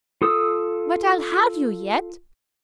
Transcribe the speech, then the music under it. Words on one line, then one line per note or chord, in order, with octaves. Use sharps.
'But I'll have you yet.
F4 A4 D#6 E6